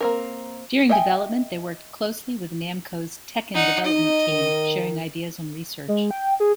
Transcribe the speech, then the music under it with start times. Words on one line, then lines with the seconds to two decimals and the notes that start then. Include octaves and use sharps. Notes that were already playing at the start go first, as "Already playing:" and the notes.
During development they worked closely with Namco's "Tekken" development team, sharing ideas and research.
0.01 A#3 C4 A#4
0.90 D#5 E5 G5 G#5
3.54 D4 D#4 F#5
3.85 D#4 D#5
4.27 D#3 A#4
5.88 G#3
6.11 G5
6.40 G#4